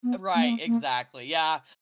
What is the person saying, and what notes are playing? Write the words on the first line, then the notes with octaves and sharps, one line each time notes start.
Right, exactly, yeah.
B3
A#3
B3
A#3
A#3